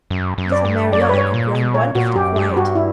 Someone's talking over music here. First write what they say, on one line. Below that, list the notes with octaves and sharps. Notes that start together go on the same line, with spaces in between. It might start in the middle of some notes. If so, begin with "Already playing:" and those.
Little Marianne had grown wonderfully quiet.
F#2
F#2
D5
G2
F#2 D5
C#5
B4
G2 C#5
A#2
B2
A#2 C#5
A#2 F#4
F#2 G4
G2 G4
F#2
G2 F#4
E4